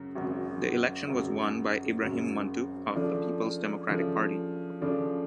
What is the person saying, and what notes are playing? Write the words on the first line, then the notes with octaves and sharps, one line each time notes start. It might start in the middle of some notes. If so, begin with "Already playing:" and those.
The election was won by Ibrahim Mantu of the Peoples Democratic Party.
Already playing: F#2 C#3
G#1 F#2 C#3
G#1 F#2 C#3
G#1 F#2 C#3
C#3 F3 A3 D4
C#3 F3 A3 D4
C#3 F3 A3 D4